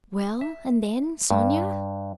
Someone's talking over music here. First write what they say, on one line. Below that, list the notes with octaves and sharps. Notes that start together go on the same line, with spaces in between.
"Well, and then, Sonya?..."
E5
G2